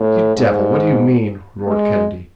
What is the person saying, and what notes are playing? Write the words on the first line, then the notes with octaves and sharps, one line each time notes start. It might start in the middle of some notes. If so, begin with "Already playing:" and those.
"You devil, what do you mean?" roared Kennedy.
Already playing: A2
G#2
G#3